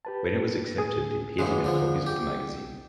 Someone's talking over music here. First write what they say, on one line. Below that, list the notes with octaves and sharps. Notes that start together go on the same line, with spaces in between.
When it was accepted, they paid him in copies of the magazine.
G4 B4 A5
A2 G#4 D#6
A1 D#2 G#3 G#4 F#5
D3 F3
G4